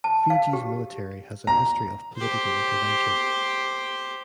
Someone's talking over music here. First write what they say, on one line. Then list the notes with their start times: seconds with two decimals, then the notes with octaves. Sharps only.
Fiji's Military has a history of political intervention.
0.04 A5
0.30 F5
0.53 G4
1.47 A#5
2.16 G4 C5